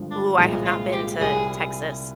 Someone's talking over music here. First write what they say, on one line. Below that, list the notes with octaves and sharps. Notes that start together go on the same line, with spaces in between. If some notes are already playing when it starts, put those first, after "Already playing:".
Ooh, I have not been to Texas.
Already playing: G#1 G2 D3 F3
D4
C2 A#2 F3 G#3 D#4
F4
G4
C2 C3 G3 G#4